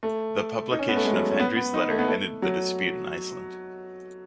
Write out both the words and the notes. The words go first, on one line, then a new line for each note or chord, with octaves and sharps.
The publication of Hendry's letter ended the dispute in Iceland.
A3
D#4
C#4
B3
A3
G#3
F#3
C#4
B3
B3
D#4
A3
B3
A3
F#3